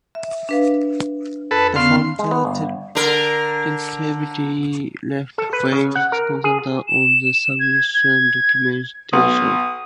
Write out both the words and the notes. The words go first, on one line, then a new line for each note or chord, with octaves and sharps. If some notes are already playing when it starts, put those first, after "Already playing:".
The founder tentatively left "Weird Concepts" on the submission documentation.
E5
D4 B4 F5
F2 A4 B4
D3 B3 C#4 F5 C6
G#3
B3
G1
D3 A#4
A4
B4
C#3
F#5
A#4
G#4
E7
G#6
G#6
B1 D#6